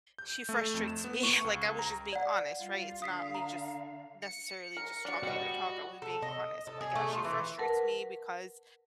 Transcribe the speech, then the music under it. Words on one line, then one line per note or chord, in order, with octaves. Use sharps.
she frustrates me" Like I was just being honest, right? It's not me just necessarily just talking to talk, I was being honest. I'm like: "Yeah, she frustrates me because
G6
A3
F2
E7
B3
C#6
C#2
A#5
D5 F#5
G3 F4
D3 F5 D#6 B6 C7
A#5
C#7
A#4
D4 F#4
G3 F#4 D#5
A4
D#5
A4
G#4
A3
F4
E3
A#4 B4 F#5 A5